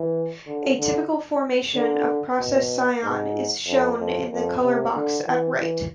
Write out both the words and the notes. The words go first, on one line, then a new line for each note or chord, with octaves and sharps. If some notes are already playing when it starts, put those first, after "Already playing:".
A typical formulation of "process cyan" is shown in the color box at right.
Already playing: E3
D3
D3
D3
B2
G#2
F2
F2
F2
C3
D3
E3
E3